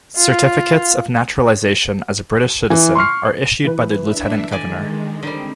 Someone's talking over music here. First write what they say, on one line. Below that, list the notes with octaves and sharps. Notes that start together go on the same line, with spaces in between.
Certificates of naturalisation as a British citizen are issued by the Lieutenant Governor.
F4
E3
C6 C#6 F6 C7
E3 B4
D4 E5
D3 D#3 G#3 D5 G#5
D3 D#3 G3 C4